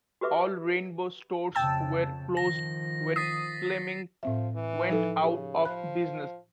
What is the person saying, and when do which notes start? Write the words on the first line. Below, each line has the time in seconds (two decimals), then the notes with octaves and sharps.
All Rainbow stores were closed when Fleming went out of business.
0.21 F#4 G4 B4 E5 D6
1.55 F2 C#3 G5 A5 E6
2.37 D#3 F3 A#6
3.16 D#6 A6 B6 C7
4.23 A2 F3 C4 E5
4.55 E3
4.89 F3 D#4 A4
5.23 C#3 G4
5.65 F3 B5 F#6